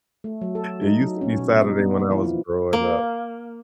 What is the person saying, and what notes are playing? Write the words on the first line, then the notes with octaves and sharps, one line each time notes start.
It used to be Saturday when I was growing up.
A3
F#3
A4
D#4
F#3
C#4
B2
D#4
B3
A#3
E3
F3
A#3